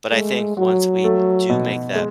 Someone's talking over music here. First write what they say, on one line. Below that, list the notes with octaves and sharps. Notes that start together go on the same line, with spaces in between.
but I think once we do make that,
G#3 A3
F#3 F#4
A3
B2
G#3